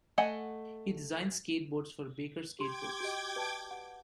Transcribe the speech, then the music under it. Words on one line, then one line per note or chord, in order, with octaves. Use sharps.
He designed skateboards for Baker Skateboards.
A3 D#5 F#5 G#5
G4 G5 C6 D6 G#6
F#4 G4 D#5
B4 D5 A5
F#5